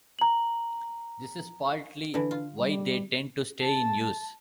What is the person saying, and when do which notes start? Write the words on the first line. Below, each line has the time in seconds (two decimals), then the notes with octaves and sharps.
This is partly why they tend to stay in use.
0.19 A#5 F#7
2.14 D3 E3 D4
2.31 F4
2.57 G3
3.62 A5